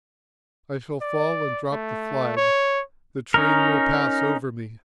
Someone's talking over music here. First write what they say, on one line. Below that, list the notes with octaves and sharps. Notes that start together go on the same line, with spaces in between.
I shall fall and drop the flag; the train will pass over me.
D5
A3
C#5
C#4 D#4 A#4